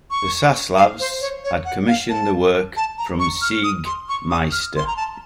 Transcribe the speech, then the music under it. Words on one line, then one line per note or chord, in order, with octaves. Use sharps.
The Saslavs had commissioned the work from Siegmeister.
C#6
F5
C5
C#5
C#5
F#5
F5
A5
A5
A#5
C#6
F6
D#6
C6
C#6
D#6
F6
C6
A#5
A5